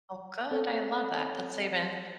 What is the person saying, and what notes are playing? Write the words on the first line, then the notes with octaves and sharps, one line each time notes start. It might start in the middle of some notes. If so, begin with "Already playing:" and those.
Oh, good, I love that. That's even
C4 A4 C#5